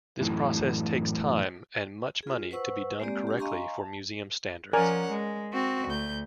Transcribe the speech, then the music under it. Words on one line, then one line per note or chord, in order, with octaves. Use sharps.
This process takes time and much money to be done correctly for museum standards.
F#2 A2 E3
F4 G#4
B4 C5 F#5 C#6 E6
G#3 A#3 C4 G4 D5
D4 G4
D#5 F5 G#5 A#5 C6 C#6
A5
F3 C#4 A#4 D5 F#5 G#5
G#3
C4 F#4
D2 G6